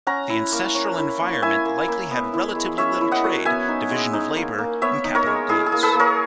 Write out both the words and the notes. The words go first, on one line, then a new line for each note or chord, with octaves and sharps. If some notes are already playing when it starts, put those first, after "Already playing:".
The ancestral environment likely had relatively little trade, division of labor, and capital goods.
C#4 F#5 A#5
E4
A#3
C#4
E4
A#3
E4 E5 G#5
A#3
A#3
B3
E4
G#3
C#4 C#5 E5
E4
D#5 F#5
F#3
B3 E5 G#5
D#4
G#3
D#4
A#3
A#3
B3 C#5 E5
D#4
A#4 C#5
G#3
E4 G#4
G#4
A#3
G#4 B4
A#3 A#4 C#5